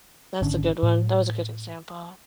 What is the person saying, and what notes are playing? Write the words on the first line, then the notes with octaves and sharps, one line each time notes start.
that's a good one, that was a good example.
G#1 D3 C#4 D4
A2